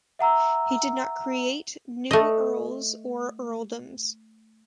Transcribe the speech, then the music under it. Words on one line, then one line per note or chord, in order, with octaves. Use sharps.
He did not create new earls or earldoms.
E5 F#5 A#5 E6
A3 D#5